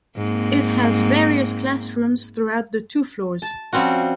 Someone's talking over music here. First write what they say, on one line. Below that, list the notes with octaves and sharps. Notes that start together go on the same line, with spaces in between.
It has various classrooms throughout the two floors.
G#2 A#3 C4
A5
F3 G3 C4 C#4 F#4